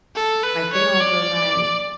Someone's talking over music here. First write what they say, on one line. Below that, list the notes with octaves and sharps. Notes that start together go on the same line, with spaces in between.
Like, they don't realize
A4
B4
C#5
D5